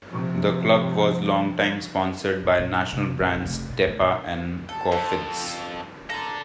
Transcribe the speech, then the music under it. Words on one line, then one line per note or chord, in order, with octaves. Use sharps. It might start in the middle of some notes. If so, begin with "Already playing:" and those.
The club was longtime sponsored by national brands Tepa and Cofidis.
C3 F3
A#2
A#2
C3
A#2
B1
F1
B2
A2
A#2
A4
F2 A4
A4 D5 A#5